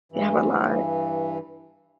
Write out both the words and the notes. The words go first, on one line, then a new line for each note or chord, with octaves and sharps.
They have a lot.
G2 E3